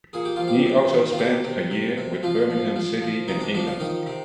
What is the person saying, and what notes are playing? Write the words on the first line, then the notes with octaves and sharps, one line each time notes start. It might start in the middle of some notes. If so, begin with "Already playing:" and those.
He also spent a year with Birmingham City in England.
A#2 G#4
G4
F3 F4
G4
C3
D#3
F4
C3 G4
C3
C3
C3
F3 F4
F3
F3
F3
C3 D#4
D4
F3 D4
F4
D#3 D#4
C3